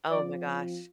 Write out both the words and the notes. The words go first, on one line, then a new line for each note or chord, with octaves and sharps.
Oh my gosh.
F3 C4 F4 D5